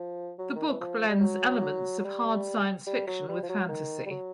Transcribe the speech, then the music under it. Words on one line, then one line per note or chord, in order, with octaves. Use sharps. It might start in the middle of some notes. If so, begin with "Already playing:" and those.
The book blends elements of hard science fiction with fantasy.
Already playing: F3
F#3
D#3
E3
F3
G3
F#3
F#3
G3
G3
F#3
G3
F3
F#3
D#3
G3
F#3